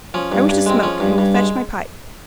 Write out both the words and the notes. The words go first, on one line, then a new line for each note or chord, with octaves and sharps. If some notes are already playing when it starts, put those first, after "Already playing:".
"I wish to smoke, and will fetch my pipe."
F3 C#4
G2
G2
G#3 C4
F3 C#4
G2
G2
G#3